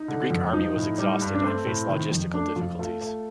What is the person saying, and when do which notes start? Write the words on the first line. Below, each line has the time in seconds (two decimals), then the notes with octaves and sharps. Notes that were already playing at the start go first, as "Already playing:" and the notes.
The Greek army was exhausted and faced logistical difficulties.
Already playing: D#4
0.08 D3
0.30 F2
0.53 F3 D#4
0.76 A2
0.98 G3
1.21 G2
1.35 D4
1.43 A3 C4
1.66 A2
1.89 D#3
2.11 F2
2.34 A3 D4
2.56 F2 F4
2.79 A3 F4
3.01 A3